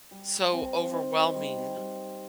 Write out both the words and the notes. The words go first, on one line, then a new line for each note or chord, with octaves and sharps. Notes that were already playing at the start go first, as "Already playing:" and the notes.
so overwhelming
G3
C4
D#4
G3
G3